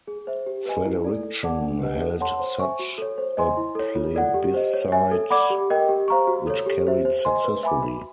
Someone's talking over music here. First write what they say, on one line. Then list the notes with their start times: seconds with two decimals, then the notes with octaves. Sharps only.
Fredericton held such a plebiscite which carried successfully.
0.07 G#4
0.27 C5 E5
0.46 G4
0.66 B4 D#5 G#5
0.85 E4
1.04 A4 D5
1.23 A4
1.43 D5 F#5 A5 D6
1.63 D4
1.82 G4 B4 D#5 F#5
2.02 A4
2.21 C#5 F#5 A5 C6
2.40 C5
2.60 E5 G#5 C#6
2.79 F#4
2.98 A4 C#5
3.18 C5
3.37 D#5 G#5 C6
3.57 E4
3.75 A4 C#5
3.96 F4
4.15 A4 D5 F#5
4.34 G4
4.54 C5 D#5
4.73 C#5
4.92 E5 G#5
5.12 A4
5.30 D5 F#5 B5 D6
5.50 G4
5.70 A#4 D#5 G5
5.89 G4
6.08 C5 F5 A#5 C#6
6.27 F#4
6.47 A4 C#5
6.66 G4
6.87 C5 E5
7.05 C5
7.25 D#5 G#5 C6
7.44 B4
7.63 E5 G#5 B5 D6
7.83 F#4